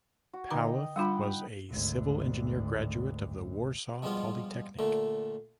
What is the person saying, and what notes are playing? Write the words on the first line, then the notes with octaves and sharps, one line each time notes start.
Palluth was a civil-engineer graduate of the Warsaw Polytechnic.
F#4
D3 D#4 D#5 G5 A#5 D6
G3 D4 F4 F#5 G5 B5
G#1 D2
B2 F3 G3 G#3 B3 F4
A#2 D3 A3